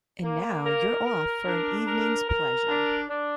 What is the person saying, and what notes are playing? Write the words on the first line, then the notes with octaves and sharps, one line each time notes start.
And now you're off for an evening's pleasure.
A#3
A#4
A#4
D4
A#4
A#4
D4
D4